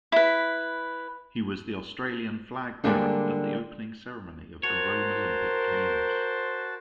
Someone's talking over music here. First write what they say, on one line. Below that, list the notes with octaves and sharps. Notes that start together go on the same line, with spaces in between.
He was the Australian flag-bearer at the opening ceremony of the Rome Olympic Games.
E4 B4
D3 G3 G#3 A#3 D4 D#4
F#4 A#4 C5 C#5 A5